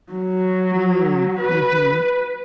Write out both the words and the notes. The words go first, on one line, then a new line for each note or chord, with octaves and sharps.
Mm, mhm.
F#3
B4